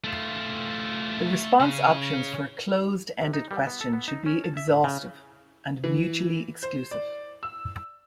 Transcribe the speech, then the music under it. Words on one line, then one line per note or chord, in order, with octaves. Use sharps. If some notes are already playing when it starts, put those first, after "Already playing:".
The response options for a closed-ended question should be exhaustive and mutually exclusive.
A3 F4
C#3 C#4
C3
D#4
G3
B3
A4
B3
D#4
C#4
A5
E5
A2
C#3
E3
C5
D5
E6